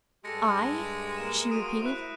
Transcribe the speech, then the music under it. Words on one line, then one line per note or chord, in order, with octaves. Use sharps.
"I?" she repeated.
G2 G#3 G4 A4 A#6 C#7
A#3 E7
F#4 C5 D#6 D7 D#7
E4 D#6 F#6